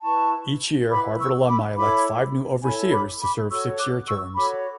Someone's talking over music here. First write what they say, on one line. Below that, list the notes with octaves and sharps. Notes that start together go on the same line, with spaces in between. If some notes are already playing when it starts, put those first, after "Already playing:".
Each year, Harvard alumni elect five new overseers to serve six-year terms.
E4 B4 A5 C#6
E4 B4 B5 D6
C#6 E6
B5 D6
E4 A4 C#5 B5 D6
E4 A4 C#5 G#5 B5
B5 D6
B5 D6
F#4 A4 C#5 C#6 E6
D6 F#6
C#6 E6
F#4 A4 C#5 B5 D6